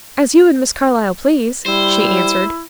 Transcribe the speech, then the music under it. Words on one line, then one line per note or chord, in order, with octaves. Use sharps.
"As you and Miss Carlyle please," she answered.
G3 E4 C5